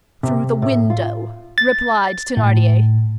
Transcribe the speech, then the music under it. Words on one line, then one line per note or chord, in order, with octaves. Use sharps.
"Through the window," replied Thenardier.
C3
A2
F4
A6
A2